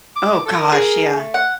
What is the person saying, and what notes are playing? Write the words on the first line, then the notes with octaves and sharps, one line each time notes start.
Oh gosh, yeah.
D6
A4
A#4
G#4
A3
F#5